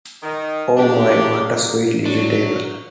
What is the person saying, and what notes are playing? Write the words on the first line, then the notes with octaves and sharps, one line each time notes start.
Oh my, what a sweet little table!
D#3
C#3 F#3 A#3 D4 G4
F#3 D4